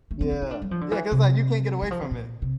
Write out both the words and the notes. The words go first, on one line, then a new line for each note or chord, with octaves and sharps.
Yeah. Yeah, 'cause, like, you can't get away from it,
A3
C4
C4
E4
D4
G3
F3
D3
E3
C3
E3
F3
C3
A#2
C3